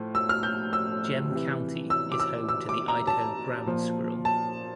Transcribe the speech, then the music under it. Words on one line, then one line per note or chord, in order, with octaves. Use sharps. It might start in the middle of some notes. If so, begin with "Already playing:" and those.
Gem County is home to the Idaho ground squirrel.
Already playing: A2 F3
E6
F6
G6
E6
C3 E3
E6
D6
E6
E6
D6
A#5
A5
A#2 F3
A5